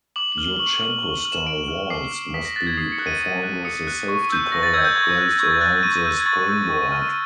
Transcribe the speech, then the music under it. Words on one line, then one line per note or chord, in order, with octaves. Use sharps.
Yurchenko-style vaults must be performed with a safety collar placed around the springboard.
D6 F#7
F#7
F6 G7
C#6 F#7
F6
C#6 G7
F#7
F6
E7
D6 D7
F6
D6 C7
F6
D#6 B6
A#6
F#6 A6
G#6
D#6 C7
C#7
F#6
D#7
D#6 D#7
F#6
D#6 C#7
F#6
C#6
E6 G6
C#6 A#6
A6
E6 G6 G#6
G6
C#6 G#6
F#6
C#6 G#6
A6
F#6 A6
A6
C#6 D#7
E6 G6
G#6
C#6 A6
E6 G6
C#6
F6